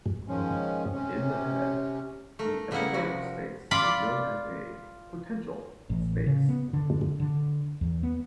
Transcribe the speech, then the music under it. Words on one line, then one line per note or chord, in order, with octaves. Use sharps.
In the head, the epidural space is known as a potential space.
D#3 F3 G#3 C#4
C3 C#4
A3 A#4
C#3 G3 B3 E4 A#4 F#5
C3 F3 G3 F#4
F4 D5 B5
A1
C#3
B3
D3
D3
E2
B3